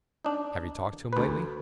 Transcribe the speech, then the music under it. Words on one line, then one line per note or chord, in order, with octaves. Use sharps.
"Have you talked to him lately?"
D4 D#4
D2 B4